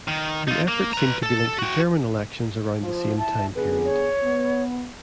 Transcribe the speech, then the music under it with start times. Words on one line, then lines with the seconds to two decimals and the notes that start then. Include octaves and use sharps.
The effort seemed to be linked to German elections around the same time period.
0.08 D#3
0.48 D#4 F4
0.68 A#3
0.93 B4 A#5
1.23 A4 A5
1.58 F#4 G5
2.82 F3
3.18 E4 A5
3.55 D3 B3 G#4 B4
3.84 C#5
4.23 B3